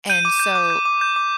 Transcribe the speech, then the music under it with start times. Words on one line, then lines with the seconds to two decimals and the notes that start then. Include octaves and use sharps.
and so
0.10 G6 D#7
0.25 D6
0.40 G6
0.55 D6
0.70 G6
0.85 D6
1.01 G6
1.16 D6